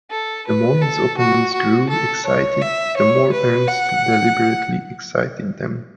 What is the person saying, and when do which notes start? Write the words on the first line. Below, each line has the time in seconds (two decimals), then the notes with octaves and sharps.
The more his opponents grew excited, the more Ernest deliberately excited them.
0.10 A4
0.46 B4
0.82 A4
1.18 F#4
1.53 F#4
1.89 A4
2.26 C#5
2.61 E5
2.97 C#5
3.33 B4
3.68 F#5